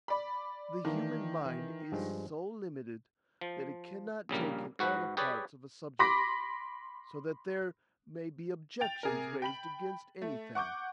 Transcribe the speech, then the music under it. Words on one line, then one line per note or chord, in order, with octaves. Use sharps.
The human mind is so limited, that it cannot take in all the parts of a subject, so that there may be objections raised against any thing.
D5 B5
D#3 E3 A#3 D4
E3
G2 F3 G#3
F3
A#1 C#3 G3 A#3
G#2 F#4 B4
G4 G#4 B4 C#5 D5 G#5
B5 C6 D6 A#6 B6
G5 A6 F7
C3 G#4 A#4
G5 B5 F#7
A3
F#5 C#6 D6 G6